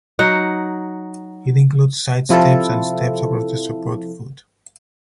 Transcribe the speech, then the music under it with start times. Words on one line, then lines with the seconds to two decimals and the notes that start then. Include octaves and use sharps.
It includes side steps and steps across the support foot.
0.19 F#3 D#4 F#5
2.29 C3 F3 E4 F4 A4